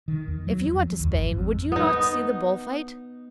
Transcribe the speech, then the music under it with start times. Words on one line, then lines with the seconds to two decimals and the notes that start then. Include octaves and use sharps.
If you went to Spain, would you not see the bull-fight?
0.08 D#3
0.28 E2
0.47 F#3
0.73 F2
1.00 D#2
1.13 G#1
1.31 F2
1.72 B3 D#4